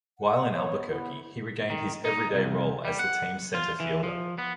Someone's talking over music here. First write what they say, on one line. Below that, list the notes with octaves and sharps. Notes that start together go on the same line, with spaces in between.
While in Albuquerque, he regained his everyday role as the team's center fielder.
F#5
B3 C#5
B3 E4
D#3
D#4
C2
G3
F#5
F4
E3
F3
B3